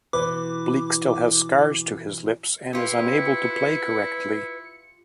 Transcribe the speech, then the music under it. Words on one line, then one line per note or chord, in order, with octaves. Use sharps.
Bleek still has scars to his lips, and is unable to play correctly.
B2 E3 B4 D6
E4 F4 G4 B4 C#7